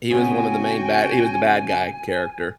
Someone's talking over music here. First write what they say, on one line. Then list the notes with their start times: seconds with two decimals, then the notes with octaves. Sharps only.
he was one of the main bad he was the bad guy character.
0.11 C#3 B3 C4 F#4 G5 G#5